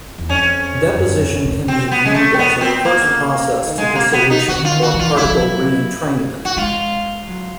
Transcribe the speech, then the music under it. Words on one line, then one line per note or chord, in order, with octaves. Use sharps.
Deposition can be viewed as a reverse process to dissolution or particle re-entrainment.
E2
F2 C#4
F#2
G2
F#2
F2
A2
C4
B3
G#3
A3
C4
B2 B3
A#2
B2
C4
A#3
D3
C#3
D#3
D3 G#3
A#3
B3
D#4
D3 F#4
D#3
D3 F4
D#3
F#4
E3
F4
G3 E4
F#3
F3
F#3
F#4
G#3 F4
F#3